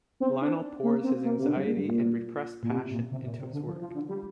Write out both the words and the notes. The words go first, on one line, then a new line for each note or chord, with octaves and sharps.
Lionel pours his anxiety and repressed passion into his work.
C4
D4
A#3
C4
A#3
C3
D3
G2
A#2
G2
A#2
A#2
C3
A#2
C3
A#2
C3
D3
F3
F3
D3
G3